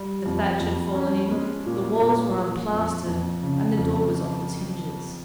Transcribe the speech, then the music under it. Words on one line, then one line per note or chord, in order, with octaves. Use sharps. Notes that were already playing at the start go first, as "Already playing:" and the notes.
The thatch had fallen in, the walls were unplastered, and the door was off its hinges.
Already playing: G3
F2
F2
C#4
G#3
A#2
A#2
A#2
F2
F2
C#3
F2